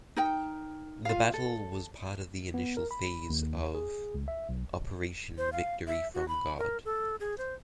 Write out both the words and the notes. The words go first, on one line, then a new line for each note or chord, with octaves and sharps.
The battle was part of the initial phase of Operation Victory from God.
D#4 A#4 G5
F4 F5
A4
B3
A#4
B5
D#2
G#4
C#2
E5
B1
C5
F5
E5
F#4
B5
A#4
A4
G#4
C5